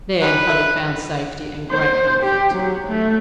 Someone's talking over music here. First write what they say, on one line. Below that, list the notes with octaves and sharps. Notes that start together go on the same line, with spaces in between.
There he had found safety and great comfort.
F#3 C#4 D4 B4
F4 A4 E5
C5
G4
F#3
A3